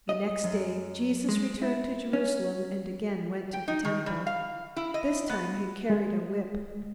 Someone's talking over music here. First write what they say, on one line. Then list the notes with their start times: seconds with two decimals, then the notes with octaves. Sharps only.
The next day Jesus returned to Jerusalem and again went to the Temple. This time he carried a whip.
0.09 D#5
0.44 F#2
1.29 G#3
1.62 E4
2.13 C#4
3.53 G5
3.68 D#4
3.85 D#3
4.06 G3
4.27 F5
4.76 E4
4.94 D#5
5.29 B3
5.90 G#3